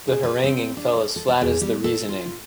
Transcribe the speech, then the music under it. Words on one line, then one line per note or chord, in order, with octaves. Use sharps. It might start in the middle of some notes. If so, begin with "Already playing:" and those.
The haranguing fell as flat as the reasoning.
G#4
B4
C4
D4
A4
A4
A5
E2
G3
A4
F4